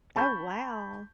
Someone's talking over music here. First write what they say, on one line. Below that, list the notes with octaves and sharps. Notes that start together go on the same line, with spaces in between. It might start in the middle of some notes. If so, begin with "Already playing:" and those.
Oh, wow.
A5 B5 C#6 G6